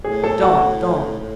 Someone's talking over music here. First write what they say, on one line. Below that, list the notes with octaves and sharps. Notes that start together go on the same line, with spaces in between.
'Don't, don't!
A2 G#4
A4
F#4 F#5
A2